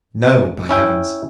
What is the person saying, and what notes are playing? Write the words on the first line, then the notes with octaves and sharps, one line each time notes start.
No! by heavens!
C#4 E4 G5